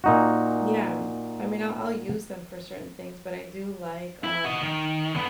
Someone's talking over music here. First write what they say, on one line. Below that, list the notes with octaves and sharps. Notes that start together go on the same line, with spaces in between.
yeah. I mean, I'll I'll use them for certain things, but I do like, um,
A#2 D#4 F#4
E4
F#4 D#5
D#3
D3 B3